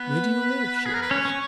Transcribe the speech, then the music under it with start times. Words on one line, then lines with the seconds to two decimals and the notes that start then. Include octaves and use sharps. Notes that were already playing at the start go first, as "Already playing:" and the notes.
"Where do you live?" she asked.
Already playing: B3 B4
0.86 G#4
0.94 A#4
1.02 B4
1.11 C#4 C#5
1.25 C#4